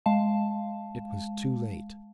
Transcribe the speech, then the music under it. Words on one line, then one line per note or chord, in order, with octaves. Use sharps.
It was too late.
G#3 F5 A5